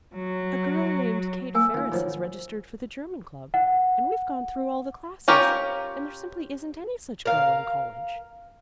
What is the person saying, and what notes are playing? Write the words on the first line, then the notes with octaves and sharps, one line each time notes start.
"A girl named Kate Ferris has registered for the German Club, and we've gone through all the classes, and there simply isn't any such girl in college."
F#3
A#3 A#4 G#5 E6
D#3 F4
D#3 F3 F#3
F#5
C#4 F4 G4 A#4 C#5
A#4 F5